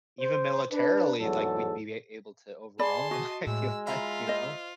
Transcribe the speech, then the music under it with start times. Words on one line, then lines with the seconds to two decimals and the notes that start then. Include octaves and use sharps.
even militarily, like, we'd be a able to overwhelm them. I feel like, you know?
0.20 C5
0.72 D4 B4
1.19 E2 G#2 F#3 A4
2.79 G#4 D5 A5 B5 C6
3.11 F#4 D#5 D#7
3.47 A2 G#3 E6
3.87 F4 E5 A#5 B5
4.28 C5 D#5